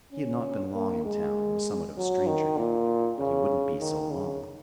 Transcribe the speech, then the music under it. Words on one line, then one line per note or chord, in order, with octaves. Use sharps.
He had not been long in town and was somewhat of a stranger yet, but he wouldn't be so long.
C#4
A#3
G#3
F#3
D#3
A#2
C#3
D#3
C#3